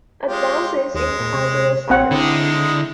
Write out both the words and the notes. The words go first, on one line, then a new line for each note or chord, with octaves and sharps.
"Advances in Hydroscience".
G#3 F4 G4
D#2 G#3
A#2
C3
A#1 C4 F#5
D3 G#3 D#4 E4